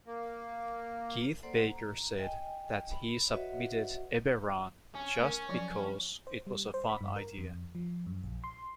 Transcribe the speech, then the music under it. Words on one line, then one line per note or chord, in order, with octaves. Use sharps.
Keith Baker said that he submitted Eberron just because it was a fun idea.
A#3
A#3 A4 C5 D5 F#5 C6
A#5
D#5 G5 G#5
B5
F#4 B4 C#5 D#5 E5 F#5
C#4
A3 A#4
F3 F#3 D5
C5
G3
C5
B5
G2
A#4
F2
F3
F#2
A#1
C6